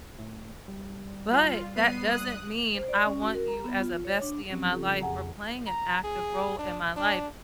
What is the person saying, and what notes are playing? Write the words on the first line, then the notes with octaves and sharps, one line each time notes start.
but that doesn't mean I want you as a bestie in my life or playing an active role in my life.
A2
G3
F4
B3 C7 D#7
D#6 F#6
C5
D5
C#4
F#4
A#4
A#5
B3
F4
C#5
D4
F3 F#3 C4 C#4 G4
C#3 F4 G4 A4
F2 G#4 F#5 G#5 A#5
A#5
G#4
D4
D4